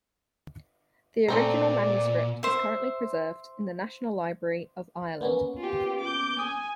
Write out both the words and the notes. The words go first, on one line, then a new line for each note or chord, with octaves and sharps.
The original manuscript is currently preserved in the National Library of Ireland.
A#2 A3 C4 D5 A#5
C5 E5
A#3 B3 C#4
F4 G4
D6 G6
G#5 D#6